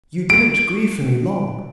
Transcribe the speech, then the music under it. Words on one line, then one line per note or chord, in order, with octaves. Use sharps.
You didn't grieve for me long!
D7